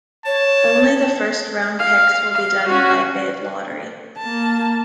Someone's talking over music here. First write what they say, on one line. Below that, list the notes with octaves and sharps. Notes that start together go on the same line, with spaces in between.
Only the first round picks will be done by bid lottery.
C#5 A5
F5
F5
C#4 F#4
A#3 A5